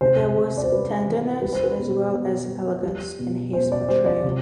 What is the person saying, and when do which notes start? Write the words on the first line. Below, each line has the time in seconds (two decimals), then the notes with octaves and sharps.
There was "tenderness as well as elegance" in his portrayal.
0.01 C3 C5
0.37 C3
0.57 D5
0.64 C5
0.72 G3 B4
1.06 E3
1.42 G3 B4
1.53 C5
1.64 B4
1.78 B2
2.13 B2
2.48 G3
2.83 G3
3.19 B2
3.53 B2 C5
3.72 D5
3.89 G3 C5
4.06 D5
4.24 C3